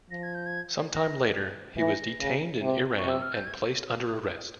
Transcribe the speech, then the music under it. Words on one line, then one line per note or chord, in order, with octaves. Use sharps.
Sometime later, he was detained in Iran and placed under arrest.
F3 A#6
G#6
G6
G#6
A#6
E3 A#6
C#3
C3
C#6
C3
E6
F6
G6
G#6